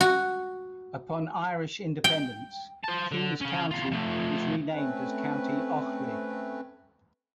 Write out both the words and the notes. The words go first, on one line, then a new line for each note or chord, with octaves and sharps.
Upon Irish independence King's County was renamed as County Offaly.
F#4
G5
C5 A5
D3
C#4 F5
E2 F4
F3 A3
A3 C4 C#4 B4